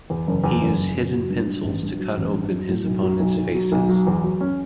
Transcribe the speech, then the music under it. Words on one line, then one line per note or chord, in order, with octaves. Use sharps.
He used hidden pencils to cut open his opponent's faces.
E2
F#1
E2
F#1
F#1
F#1
F#3
G2
G2
A1
G2
F#3
A1
G2
F#3
A2
B1
F#3
B1
B1
F#3
B1
F#3
E2
F#3
C#4